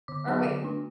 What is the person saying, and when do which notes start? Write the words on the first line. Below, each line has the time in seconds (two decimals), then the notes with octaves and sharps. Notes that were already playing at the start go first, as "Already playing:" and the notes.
Or, wait,
0.08 D3 D6
0.26 F#3 B3
0.45 D3
0.63 A3 D4